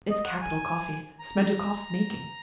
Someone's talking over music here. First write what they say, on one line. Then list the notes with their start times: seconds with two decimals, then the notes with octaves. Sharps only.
It's capital coffee: Smerdyakov's making.
0.10 D#5
0.25 F#5
0.41 G#5
1.19 A#5